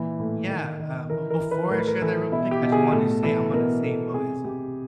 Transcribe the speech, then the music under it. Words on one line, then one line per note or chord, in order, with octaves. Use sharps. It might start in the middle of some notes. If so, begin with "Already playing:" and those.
Yeah, um, but before I share that real quick, I, just, wanted to say I'm on the same boat as you
Already playing: A#2 E3
A2
D#3
D#3
E3 A#4
A#4
E3
B4
A2 A#4
B4
A#4
E3 A4
B2 E4
G4
B2
G#4
A2 A4
E3 A4
B2 A#4
B2 A4
C3 G#4
C3 G4